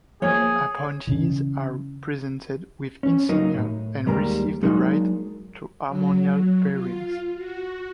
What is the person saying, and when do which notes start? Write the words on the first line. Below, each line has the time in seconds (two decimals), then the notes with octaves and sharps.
Appointees are presented with insignia and receive the right to armorial bearings.
0.22 F3 A#3 G#4 C#5
1.07 C#3 E3
3.03 C#4
3.29 F#3 A#3 D#4
3.55 A2
4.06 D#2 G3 G#3 A#3 A#5
4.63 F#3 G#3 A#3 D4 D#4 F#4
5.88 F#3
6.71 F4
7.34 F#4